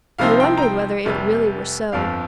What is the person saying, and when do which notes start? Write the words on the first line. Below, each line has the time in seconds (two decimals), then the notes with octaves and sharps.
I wondered whether it really were so.
0.19 C2 C3 F3 C4 D#4 F5
0.40 G5
0.58 A#5
0.62 G5
1.05 F1 F2 C3 G3
1.92 G1 F2 F3 F5